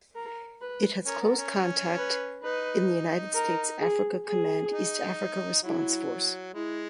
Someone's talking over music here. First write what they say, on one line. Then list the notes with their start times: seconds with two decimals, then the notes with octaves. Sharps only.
It has close contact in the United States Africa Command East Africa Response Force.
0.15 A#4
0.61 B4
1.06 C#4 A#4
1.22 B3
1.37 C#4
1.98 B4
2.43 D#4 B4
3.34 A#4
3.80 G#4
4.26 G#4
4.72 D#4
5.63 F#3 E4
6.54 G#3 E4